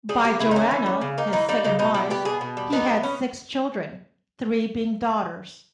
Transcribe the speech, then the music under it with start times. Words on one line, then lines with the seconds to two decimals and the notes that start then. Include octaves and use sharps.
By Joanna, his second wife, he had six children, three being daughters.
0.09 G3 G#4
0.24 B3 G4
0.39 C#3 E4
0.51 D#4
0.56 A#3 C#4
0.71 E3
0.86 G3
1.01 C#3
1.18 A#3 D#4
1.33 E3 D#4
1.49 G3 D#4
1.64 C#3 D#4
1.79 B2 D#4
1.94 G3 E4
2.10 B3 G4
2.25 B2 G#4
2.41 B2
2.57 G3
2.73 B3 D#4
2.87 B2
3.03 B3 C#4